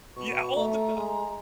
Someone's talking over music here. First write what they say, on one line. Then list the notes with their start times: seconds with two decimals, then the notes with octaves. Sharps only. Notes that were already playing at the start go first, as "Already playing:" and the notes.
Yeah, all the time.
0.16 B2 C#6
0.56 A3 A#5
0.97 G#3